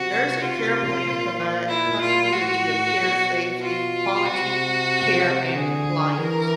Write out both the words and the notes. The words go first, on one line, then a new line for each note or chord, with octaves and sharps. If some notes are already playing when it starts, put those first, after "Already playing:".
Nursing care plans provide continuity of care, safety, quality care and compliance.
Already playing: C3 F#4
C3 F4
A#2
E4
F4
A2 F#4
B2
F4
C3 F#4
D3 G#4
E3 A#4